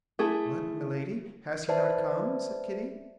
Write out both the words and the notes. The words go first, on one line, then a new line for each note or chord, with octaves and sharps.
"What, Milady! has he not come?" said Kitty.
A3 E4 G#4
B4 C5 D5 E5 A5